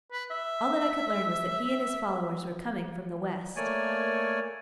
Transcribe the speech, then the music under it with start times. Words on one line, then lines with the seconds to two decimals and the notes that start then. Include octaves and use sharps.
All that I could learn was that he and his followers were coming from the West.
0.12 B4
0.31 E5
3.56 A3 A#3 C#5 D5 G#5